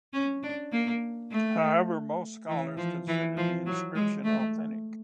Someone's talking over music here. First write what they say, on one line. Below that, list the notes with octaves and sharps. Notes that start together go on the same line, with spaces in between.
However, most scholars consider the inscription authentic.
C#4
D4
A#3
A3
E3
F3
E3
F3
F#3
G#3
A3